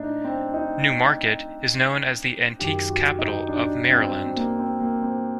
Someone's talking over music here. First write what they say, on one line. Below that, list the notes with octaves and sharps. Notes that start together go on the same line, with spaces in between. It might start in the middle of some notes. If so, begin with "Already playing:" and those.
New Market is known as the Antiques Capital of Maryland.
Already playing: A2 D4 D#4
C4
D#4
F#2 D#3 G4
F#4
D#4
D4
C4
C4
A#3
C4
A#3
C4